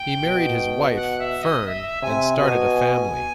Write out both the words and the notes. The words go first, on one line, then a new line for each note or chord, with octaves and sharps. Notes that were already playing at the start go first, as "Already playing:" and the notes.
He married his wife, Fern, and started a family.
Already playing: G5
B2
F#5
E5
D#5
E5
C3 G#5
B2 G#5